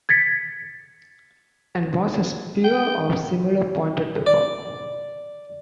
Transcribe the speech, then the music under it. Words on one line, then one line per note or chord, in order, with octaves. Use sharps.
An was a spear or similar pointed weapon.
G#6 A6 B6 C#7
G5
D5